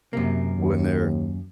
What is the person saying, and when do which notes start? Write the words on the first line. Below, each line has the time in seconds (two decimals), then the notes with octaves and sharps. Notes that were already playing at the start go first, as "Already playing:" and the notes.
when they're
0.13 F#2 C3 A#3
0.57 D#2